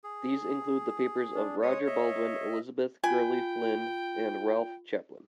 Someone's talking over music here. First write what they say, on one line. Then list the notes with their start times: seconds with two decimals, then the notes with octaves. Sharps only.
These include the papers of Roger Baldwin, Elizabeth Gurley Flynn, and Ralph Chaplin.
0.04 G#4
1.35 D4
1.63 G#3 C#5 D#6
1.86 D#5 E5
3.04 F4 G5 G#5